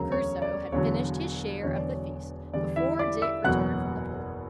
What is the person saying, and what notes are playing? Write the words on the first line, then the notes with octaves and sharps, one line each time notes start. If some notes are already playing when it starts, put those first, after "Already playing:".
Crusoe had finished his share of the feast before Dick returned from the pool.
Already playing: E1 D2 C#3 F#3 A#4 A#5
C#5
D5
E1 E2 D3 F#3 C#5
E1 E2 D3 F#3 C#5
D5
C#5
E2 D3 G3 D5
E4 E5
D5 D6
E5 E6
F#1 E2 B2 F#3 F#5 F#6